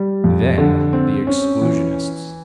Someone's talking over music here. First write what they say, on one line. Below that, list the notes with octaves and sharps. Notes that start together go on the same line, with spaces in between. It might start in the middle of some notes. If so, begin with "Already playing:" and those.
Then the exclusionists.
Already playing: G3
F2
D3
C4
C#4
E3